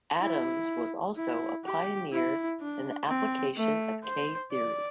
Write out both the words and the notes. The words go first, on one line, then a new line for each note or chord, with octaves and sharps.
Adams was also a pioneer in the application of K-theory.
E4
E4
G4
E4
D4
C4
A3
C5
D5